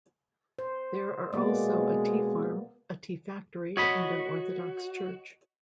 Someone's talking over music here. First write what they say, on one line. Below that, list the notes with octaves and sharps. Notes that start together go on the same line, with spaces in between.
There are also a tea farm, a tea factory and an Orthodox church.
C5
B2 G#3 A#3 B3 D5
F#4 C#5 D#5 B5